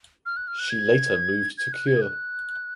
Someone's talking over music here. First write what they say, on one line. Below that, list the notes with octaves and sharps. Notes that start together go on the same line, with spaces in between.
She later moved to Kure.
F6
F#6
F6
F#6
G#6
G#6
F#6
G#6
F#6